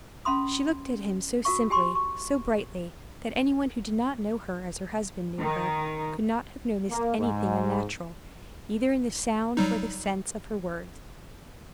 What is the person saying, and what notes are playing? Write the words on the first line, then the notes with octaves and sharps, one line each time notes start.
She looked at him so simply, so brightly, that anyone who did not know her as her husband knew her could not have noticed anything unnatural, either in the sound or the sense of her words.
C#4 F5 B5 C6 D#6
F#4 A#4 F5 C#6
G4 G#5 C6 C#6
C#6
D#3
A#3
G#2
F#3 G3 D#4